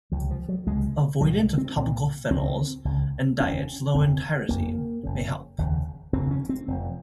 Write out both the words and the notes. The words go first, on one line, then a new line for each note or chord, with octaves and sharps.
Avoidance of topical phenols and diets low in tyrosine may help.
C#2 C3 F3
F3
F#3
C#2 C3 G#3
C2 A#2 F#3
G#3
C4
C2 A#2
C#2 C#3 C4
C#2 C#3
F1 D#2 C#3 C#4
F1 D#2 C#3 C4
F#1 F2 C#3 A#3
F#1 F2 C#3
F1 D#2 C#3
F1 D#2 C#3 C4
C#4
C4
F1 F2 C3